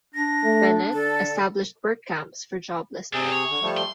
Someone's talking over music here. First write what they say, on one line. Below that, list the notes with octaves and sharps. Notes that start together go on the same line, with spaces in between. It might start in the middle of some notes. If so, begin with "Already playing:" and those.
Bennett, established work camps for jobless men.
D4 A#6
A3
D3 A4
C3 C4 D4 G#4
C#5
D3
F3 G3 A3
C6